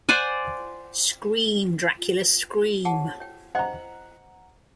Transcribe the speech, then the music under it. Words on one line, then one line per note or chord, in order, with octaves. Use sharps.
Scream, Dracula, Scream!
C5 D5 F#5 G#5
G#4 F#5 A5
C#5 G5
C5 D#5 F#5 G5 A#5